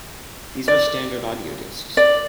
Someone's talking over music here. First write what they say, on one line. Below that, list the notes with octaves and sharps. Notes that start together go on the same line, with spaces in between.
These are standard audio discs.
D5
D5